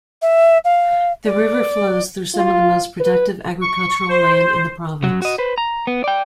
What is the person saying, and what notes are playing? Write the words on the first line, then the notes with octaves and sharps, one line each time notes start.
The river flows through some of the most productive agricultural land in the province.
E5
F5
D5
F4
B4
C#6
C5
F#2 F#3
F#4 D#5
B4 C5
A#5
B3
D5 G5